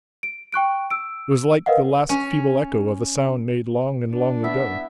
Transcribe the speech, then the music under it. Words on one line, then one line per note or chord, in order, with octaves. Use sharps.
It was like the last feeble echo of a sound made long and long ago.
D7
G5 C#6 F#6 D7
E6 D7
A#4 B4 D#5 F5 F#5
C#4
D4
B3 E4 E5